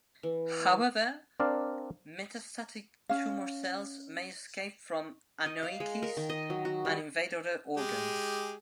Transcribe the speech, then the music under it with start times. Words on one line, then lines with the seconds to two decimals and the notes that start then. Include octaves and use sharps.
However, metastatic tumor cells may escape from anoikis and invade other organs.
0.23 E3
1.40 C4 D4 A#4 D5 F5
3.09 C#4 F5
5.46 D#5
5.63 F5
5.80 G#3
6.03 A#4
6.17 D#3
6.30 D#5
6.50 F#3
6.65 F#4
6.85 G3
7.77 G#3 G4 G#4